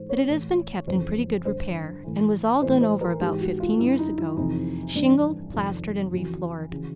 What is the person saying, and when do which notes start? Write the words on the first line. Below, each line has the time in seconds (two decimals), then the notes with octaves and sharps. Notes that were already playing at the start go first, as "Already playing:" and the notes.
But it has been kept in pretty good repair, and was all done over about fifteen years ago--shingled, plastered and re-floored.
Already playing: G#2 E3 C5
0.09 C#5
0.28 A2 E3
0.87 F2 C#3 E3 C5
1.45 G2 D3 C5
2.04 A2 E3
2.62 A2 E3 C5
2.81 C5
3.01 A#4
3.20 G#2 E3 G4
3.40 F#4
3.60 F4
3.79 F#2 D3 E4
3.99 D#4
4.18 E4
4.37 F2 C3 E3 D#4
4.95 G2 E3 D4
5.53 F2 C3 D#3
6.12 F2 C#3 E3 F#4
6.71 C#3 E3